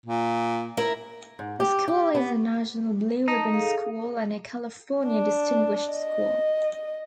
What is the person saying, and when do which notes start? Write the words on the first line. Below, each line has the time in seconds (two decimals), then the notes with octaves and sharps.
The school is a National Blue Ribbon School and a California Distinguished School.
0.06 A#2
0.77 E4 A#4 E5
1.39 G#2
1.60 G4
1.88 G4
2.15 B3
3.28 D#4 A5
3.54 G#4 A4 F5
5.07 D4
5.91 D#5